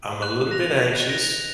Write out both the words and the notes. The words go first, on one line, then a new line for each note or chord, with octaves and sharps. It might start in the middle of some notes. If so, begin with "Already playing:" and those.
I'm a little bit anxious.
F#6
A#6 F7
F#6
A#6 F7